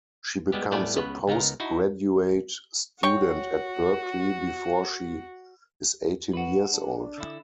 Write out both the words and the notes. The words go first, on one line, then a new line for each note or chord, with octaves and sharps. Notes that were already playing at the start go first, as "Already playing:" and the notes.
She becomes a post graduate student at Berkeley before she is eighteen years old.
G3 G#3 B3 G4
A2 G3 A3 B3 D5 G#5
C#2 C#3 B3 B4
C#2 B3 D#4 A#4 A#5
D#4 E4 F#4
F#4 C#5 G5 C#6
F#4 B4
D4
D3 E4